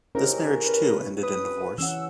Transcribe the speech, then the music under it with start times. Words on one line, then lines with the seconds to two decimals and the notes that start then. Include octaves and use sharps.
This marriage too ended in divorce.
0.15 G#2 C#4 E4 G4 A#4
0.66 B4
1.23 B4 D#6
1.78 E3 C#4 F#5 E6